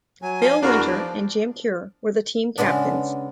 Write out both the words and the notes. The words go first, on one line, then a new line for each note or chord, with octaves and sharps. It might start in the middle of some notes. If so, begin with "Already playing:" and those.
Bill Winter and Jim Cure were the team captains.
F#3 G#5
F3
E2 D4 F#4 A#4 F5
F3 D5
C#3 G#3 B3 D4